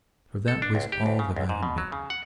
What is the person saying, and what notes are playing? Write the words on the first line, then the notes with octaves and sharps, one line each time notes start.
For that was all that I had been.
A4
D4
C#2
G4
D2
C#3
C#2
G#2
B2
F#3
C#3
F#5